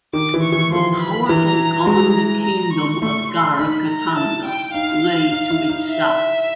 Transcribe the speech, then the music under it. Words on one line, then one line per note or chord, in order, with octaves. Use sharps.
The powerful Gond kingdom of Garha Katanga lay to its south.
D#3 D6
E3
C#6
E3
F3 C6
B5
E3 A#5
G#3 A#5
A#5
C#6
A3 C#6
C6
D#4 B5
A#5
E4 A5
G5
D#4 F5
D#4
E4
D#4
E5